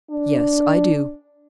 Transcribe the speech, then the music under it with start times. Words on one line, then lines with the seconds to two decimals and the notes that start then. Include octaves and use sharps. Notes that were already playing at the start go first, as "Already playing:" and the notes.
"Yes, I do."
0.11 D4